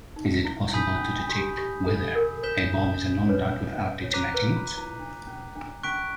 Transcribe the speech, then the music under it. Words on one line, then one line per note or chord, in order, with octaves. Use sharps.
Is it possible to detect whether a bomb is a non-dud without detonating it?
D#4
E4
E4
D#4 G#5 B5 D#6 G6 B6
C#4
D4
F#4
G4
G4
A4
A#4
C5 G6 B6 E7 G7
B4 C#5
C#5
C5 A#5 D6 F#6 B6 D#7
B4
F4
E4
D4
C#4
D4
C#4 C#6 F#6 B6 D7